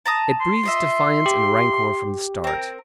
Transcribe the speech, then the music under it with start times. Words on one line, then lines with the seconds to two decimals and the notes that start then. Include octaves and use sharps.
It breathes defiance and rancor from the start.
0.06 A5 A#5 D#6
0.41 C6
0.63 F4 D#5 E5
1.26 G4
2.44 C4 A#4